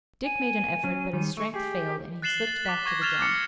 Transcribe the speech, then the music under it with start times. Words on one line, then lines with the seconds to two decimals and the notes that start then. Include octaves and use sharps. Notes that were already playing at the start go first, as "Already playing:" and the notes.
Dick made an effort, but his strength failed and he slipped back to the ground.
0.24 G#5
0.84 F#3 C#4
1.13 D#3 G3
1.37 A3 C#6
1.54 G4 G#4
2.22 F#6 A6 C7 E7 F#7 G7
2.47 A6
2.65 D6 B6
2.86 C#6 D6 G#6 A#6 G7
3.02 F6 G#6 A6 E7 F7 G7
3.20 D6 C#7